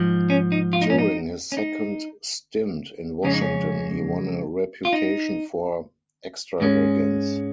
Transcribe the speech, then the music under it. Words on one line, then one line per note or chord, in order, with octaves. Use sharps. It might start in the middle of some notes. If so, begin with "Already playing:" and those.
During his second stint in Washington, he won a reputation for extravagance.
Already playing: G#2 F3
C#4
D#4
F4
D#4
C#4
D#4
C#4
D#4
F2 C#3 G#3 C#4
D#4
C#4
F4
D#4
G#2 G#3 C#4